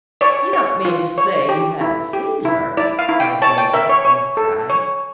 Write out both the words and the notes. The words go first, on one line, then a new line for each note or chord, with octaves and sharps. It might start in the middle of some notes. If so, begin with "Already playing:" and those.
"You don't mean to say you haven't seen her," cried Brenda in surprise.
C#5 D5
C#5
F4
C#5
G4
E4
G4
E4
E4 D5
F5
E4
G5
C#5 A5
G5
A#4 E5
C#5
C#5
A4
C#5